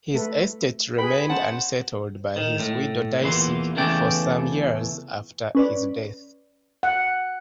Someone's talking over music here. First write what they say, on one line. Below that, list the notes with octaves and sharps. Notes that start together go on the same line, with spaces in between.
His estate remained unsettled by his widow Dicey for some years after his death.
A3 A4 B4
G#4 B4 G5 B5
C#4 C5 F#5 A5
D#3
A2
E2 A#2 E3 C6
E2 C#3 E3 A3 D5 G5
C#4 B4 D5
F#5